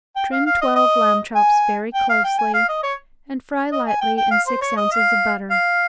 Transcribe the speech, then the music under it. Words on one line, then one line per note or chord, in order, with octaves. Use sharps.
Trim twelve lamb chops very closely and fry lightly in six ounces of butter.
G5
F5
F5
D#5
D#5
G#5
G5
F5
G5
G#5
F5
D#5
C#5
D#5
G#5
G5
G5
F5
C5
C#5
D#5
F5
F5